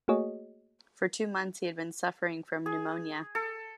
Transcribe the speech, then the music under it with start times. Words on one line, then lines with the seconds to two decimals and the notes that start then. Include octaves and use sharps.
For two months he had been suffering from pneumonia.
0.08 A3 A#3 F#4 G#4 C#5 D#5
2.66 G#4
3.35 A4